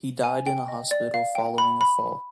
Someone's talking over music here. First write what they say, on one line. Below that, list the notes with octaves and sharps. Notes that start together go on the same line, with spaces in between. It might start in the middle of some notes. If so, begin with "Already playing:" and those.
He died in a hospital following a fall.
G#5
G5
D#5
D5
F5
G5
B5
B5